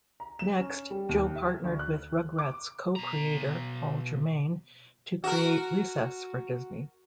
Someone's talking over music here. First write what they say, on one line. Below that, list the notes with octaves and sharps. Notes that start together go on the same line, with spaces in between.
Next, Joe partnered with Rugrats co-creator, Paul Germain, to create Recess for Disney.
A#5
E7
C#4
G3
D#2
E5
D2
F#6
D6
B2 A#5
F#4 A#4